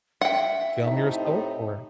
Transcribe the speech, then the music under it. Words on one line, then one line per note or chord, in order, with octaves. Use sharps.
film yourself or
E5 F#5 G5
A2 C3 D#4